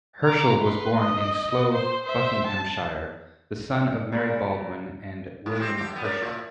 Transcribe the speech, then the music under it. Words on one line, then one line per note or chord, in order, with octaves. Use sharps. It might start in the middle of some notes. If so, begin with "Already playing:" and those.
Herschel was born in Slough, Buckinghamshire, the son of Mary Baldwin and William Herschel.
A#5 D6
B4 C6
D#5
C5 C6
C5 E5
A5
A#2 C#3 A#4 B5
G#2
C4 G4
D3 G4
C3 B3
C#4 A#4 D5
A2